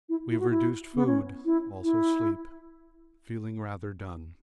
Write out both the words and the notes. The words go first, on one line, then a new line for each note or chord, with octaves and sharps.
We have reduced food, also sleep; feeling rather done.
E4
E4
F#4
E4
B3
C#4
E4
E4